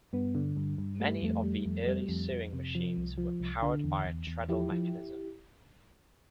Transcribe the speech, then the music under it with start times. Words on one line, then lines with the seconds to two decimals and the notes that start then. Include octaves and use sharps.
Many of the early sewing machines were powered by a treadle mechanism.
0.13 G2 B3
0.35 D3
0.57 G2
0.78 G2
1.00 G3 A3
1.22 F2 A3
1.43 G3
1.66 F2
1.87 G3
2.09 F2
2.31 F2
2.53 C3
2.75 F3
2.97 C2
3.18 F3
3.40 C2
3.62 D3
3.84 E2
4.05 E2
4.27 E2
4.49 F3 E4 G4
4.71 F3